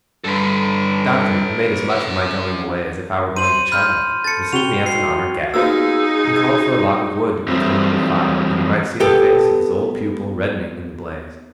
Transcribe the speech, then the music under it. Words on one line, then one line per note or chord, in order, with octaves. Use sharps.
The Doctor, who made as much of my going away as if I were going to China, received me as an honoured guest; and called for a log of wood to be thrown on the fire, that he might see the face of his old pupil reddening in the blaze.
G2 D3 A4 B4
C#4 F#5
C5 C6 D#7 F#7
B5 F6 G6
A4 A6 C#7
F#4 G5 F7 G7
C7
A#3 B3 D#4 F4 F#4 G#4 E6
E3 F#3 G3 A3 C4 C5
B3 G4 A4